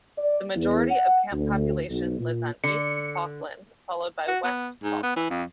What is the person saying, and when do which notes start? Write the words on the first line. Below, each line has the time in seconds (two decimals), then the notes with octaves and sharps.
The majority of the Camp population lives on East Falkland, followed by West Falkland.
0.18 D5
0.55 E2
0.90 F#5
1.31 D2
1.88 B1
2.19 A#2
2.64 D3 C#7
4.28 F#4
4.44 B3
4.83 G#2
5.03 B3
5.16 E3
5.30 F2